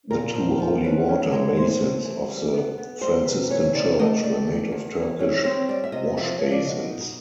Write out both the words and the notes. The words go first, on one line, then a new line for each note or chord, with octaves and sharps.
The two holy-water basins of the Franciscan Church were made of Turkish washbasins.
A#2 A#4
F3
F3
C#4 B4
C#4
G#3
A2 C5
A3
E3
G3
B3
B3
G3 C5
C3 B4
E3 C#5
C3 D5
A3 D#5
A3 D5
E2
E2
E3
G3 C#5
C4 C#5
G3 D5
E5
C3 D#5
F3 E5
F3 C#5
D5
B2 D#5
D#4